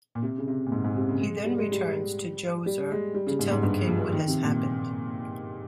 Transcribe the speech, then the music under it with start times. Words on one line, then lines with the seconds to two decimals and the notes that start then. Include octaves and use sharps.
He then returns to Djoser to tell the king what has happened.
0.15 A#2
0.22 C3
0.38 C#3
0.48 C3
0.66 A#2
0.72 G#2
0.84 G#2
0.96 C3
1.09 C#3
1.20 G#3
1.44 G3
1.58 G#3
1.72 G3
2.66 G3
2.91 G#3
3.14 G3
3.27 C#3
3.39 G#2
3.51 G#2
3.63 G2
3.87 F3
4.12 D#3
4.28 C3
4.44 A#2